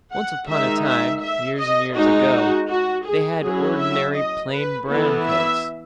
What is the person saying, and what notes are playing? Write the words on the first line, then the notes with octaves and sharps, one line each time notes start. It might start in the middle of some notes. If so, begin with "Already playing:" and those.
Once upon a time, years and years ago, they had ordinary plain brown coats.
F#5
D#3 G#3 D#4 E5
E5
E5
D#5
G#3 D#4 F#4
F#4
F#4
G#4
F#3 C#4 E4 G#4
E5
D#5
B4
E3 B3 E4 A4
E5